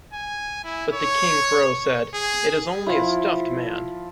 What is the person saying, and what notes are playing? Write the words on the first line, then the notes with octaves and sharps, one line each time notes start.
But the King Crow said, "It is only a stuffed man".
G#5
E4
C#5
G#4
F3 E4